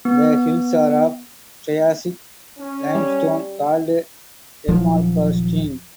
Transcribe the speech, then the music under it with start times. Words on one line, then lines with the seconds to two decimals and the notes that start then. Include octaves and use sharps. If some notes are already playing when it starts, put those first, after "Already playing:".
The hills are of a triassic limestone called "Elmkalkstein".
0.05 B3
2.59 C#4
2.95 G3
4.69 D#1 F3 F#3